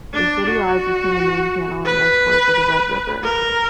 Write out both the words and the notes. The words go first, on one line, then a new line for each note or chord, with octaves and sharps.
The city lies between the main channel and north fork of the Red River.
D4
F#4
B4
A#4